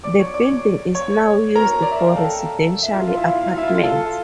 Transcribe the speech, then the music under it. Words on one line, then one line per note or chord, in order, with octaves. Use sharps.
The building is now used for residential apartments.
D5 D6
C#5 C#6
D5 D6
C#5 C#6
A#4 A#5
D5
E5
F5
G5
A4 A5
E5
F4 F5
F4 F5
E4 E5
F4 F5
F4 F5
E4 E5
F4 F5
A4 A5